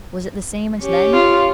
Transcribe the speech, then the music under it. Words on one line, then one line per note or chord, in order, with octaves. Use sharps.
Was it the same as then?
C#4 G4
F4